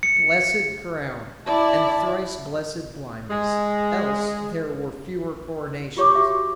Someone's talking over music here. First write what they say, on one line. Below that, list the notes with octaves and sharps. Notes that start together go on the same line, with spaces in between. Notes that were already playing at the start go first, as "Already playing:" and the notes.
Blessed crown! and thrice-blessed blindness--else there were fewer coronations.
C#7
E4 D5 A5
G#3
F4 G4 C#5 C#6 D6
F#4 G4 E5 D6